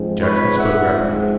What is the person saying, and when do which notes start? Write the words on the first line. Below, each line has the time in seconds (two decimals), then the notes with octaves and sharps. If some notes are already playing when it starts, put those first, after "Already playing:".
Jackson spoke rapidly.
Already playing: G#2 F3 G#3 C4
0.23 B4 C#5
0.59 E5 F#5